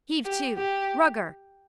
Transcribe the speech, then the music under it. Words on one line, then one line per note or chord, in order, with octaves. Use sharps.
Heave to. Rugger.
G4
G4